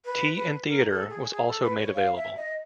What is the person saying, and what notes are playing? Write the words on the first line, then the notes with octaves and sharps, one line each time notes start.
"Tea and Theatre" was also made available.
B4
B4
A#4
A4
G#4
G#4
A4
B4
C#5
F5
E5
D#5